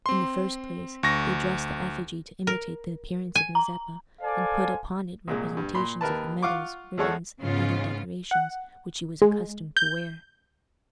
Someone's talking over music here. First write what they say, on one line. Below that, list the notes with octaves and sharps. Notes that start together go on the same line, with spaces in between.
In the first place, they dressed the effigy to imitate the appearance of Mazeppa, and put upon it representations of the medals, ribbons, and other decorations which he was accustomed to wear.
C4 C6
D2 C#6 A#6
A#4
G#5
A#5
A4 C5 D5 F5 G#5
C2 A#2 G#3
G2
A#2 B5 C6
D#2 A#4 B4 A5
F4 F5 F#5 C#6 D6
E2 F3 G#3 A4 C#5 F#5
G#2 C#3 B3 C#4 F4
F#5
G#3
G6